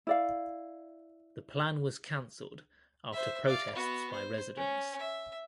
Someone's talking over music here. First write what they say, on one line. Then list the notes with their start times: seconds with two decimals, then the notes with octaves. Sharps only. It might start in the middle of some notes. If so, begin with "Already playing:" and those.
The plan was canceled after protests by residents.
0.07 E4 D5 F5
3.12 C5 E5
3.46 D5 F5
3.75 B3 F#4
4.12 C5
4.56 C#4
4.99 E5